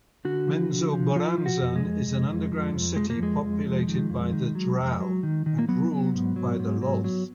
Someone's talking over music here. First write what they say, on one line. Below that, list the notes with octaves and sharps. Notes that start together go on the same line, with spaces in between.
Menzoberranzan is an underground city populated by the drow, and ruled over by Lolth.
D3 F#4
F3
D3
F3
F3 F4
F3
F#4
F2
G#3
F2
F2
F2
F3
F2
F3 G#3
A#3
F2 G#3
F2
F3
D#3
F2
D#3
F#3
F2
F#3
D#3
D#3
A#3
F#3 B3
F#3
G#2
F#3
G#2
F#3
F#3